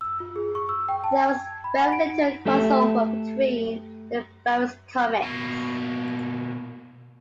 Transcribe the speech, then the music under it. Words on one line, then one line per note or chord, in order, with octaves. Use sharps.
There was very little crossover between the various comics.
E6
F4
G#4
C#6
E6
G5
A5
G#6
B5
F#5
D7
D#4
A3 G4 A4 E5
B2 A#3